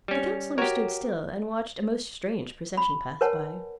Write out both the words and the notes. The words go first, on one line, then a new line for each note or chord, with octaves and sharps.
The Councillor stood still, and watched a most strange procession pass by.
G3 C#4
F#4 G4 A#4 C#5
B5
A#4 B4 C#5 F#5 G#5 A5